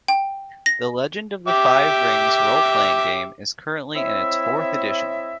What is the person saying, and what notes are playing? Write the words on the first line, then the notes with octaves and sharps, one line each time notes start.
The Legend of the Five Rings Role-Playing Game is currently in its fourth edition.
G5
A#6
G4 E5 D6
C4 E4 C#5 D#5 E5